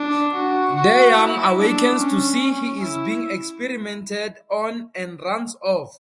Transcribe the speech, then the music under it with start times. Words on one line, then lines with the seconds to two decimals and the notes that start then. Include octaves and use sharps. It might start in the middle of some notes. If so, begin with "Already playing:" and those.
DeYoung awakens to see he is being experimented on and runs off.
Already playing: D4
0.35 F#4
0.75 F#4
1.17 E4
1.58 D4
1.98 C#4
2.40 C#4
2.81 E4